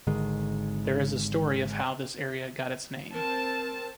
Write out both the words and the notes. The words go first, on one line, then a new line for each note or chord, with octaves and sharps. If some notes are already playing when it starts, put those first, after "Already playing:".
There is a story of how this area got its name.
G#1 D3 D#3 G#3
C4 A#4 A5